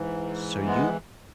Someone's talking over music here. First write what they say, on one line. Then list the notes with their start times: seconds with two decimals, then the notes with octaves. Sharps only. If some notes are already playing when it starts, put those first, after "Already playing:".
So you
Already playing: G#2 E3
0.65 G#3 B3